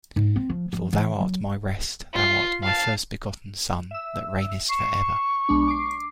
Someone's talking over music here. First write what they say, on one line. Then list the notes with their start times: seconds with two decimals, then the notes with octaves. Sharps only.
For thou art my rest; thou art my first-begotten Son that reignest for ever.
0.16 G#2
0.36 C4
0.49 F3
0.73 F3
0.93 E3
1.20 F#3
2.14 F4 C7
2.63 F5 A5
3.91 E5 E6
4.69 C#6 C7 E7
5.49 B1 G#3 D4
5.68 D6 C7